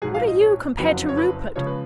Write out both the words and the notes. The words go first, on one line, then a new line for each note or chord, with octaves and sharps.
What are you compared to Rupert?
A#1 G#2 F#3 G#4
F5
D#5
C#5
F#1 F2 C#3 F#3 B4
C#5
B4
C#2 C#3 F3 C#5
B4